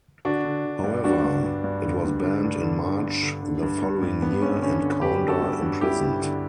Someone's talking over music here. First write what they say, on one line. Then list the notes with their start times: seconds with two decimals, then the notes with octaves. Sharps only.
However, it was banned in March the following year and Kaunda imprisoned.
0.25 D3 D4 F#4
0.45 D3
0.65 D3
0.84 G2
1.04 G2 D4 F#4
1.24 G2
1.43 G2
1.64 G2
1.84 D3
2.04 G2
2.23 D3
2.44 G2
2.63 D3
2.83 D3
3.02 G2
3.23 D3
3.43 D3
3.62 G2
3.82 G2
4.02 G2
4.22 G2 B3
4.42 G2 C#4
4.62 D3 C#4
4.82 D3
5.01 D3 G4 B4
5.23 D3
5.28 F#4 A4
5.42 G2
5.62 G2
5.81 G2 E4 G4
6.02 G2
6.22 D3